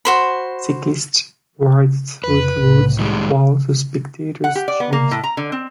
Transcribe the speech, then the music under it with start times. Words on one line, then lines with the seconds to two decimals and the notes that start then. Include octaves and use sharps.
Cyclists ride through the woods while the spectators cheer.
0.05 F#4 C5 B5
2.24 F2 B4
2.55 C2 A2
2.99 D#3 G3 G#3
4.44 F#5
4.55 G4
4.68 D5
4.80 B3
4.93 A#3
5.11 A2
5.24 A#5
5.37 D3
5.52 C4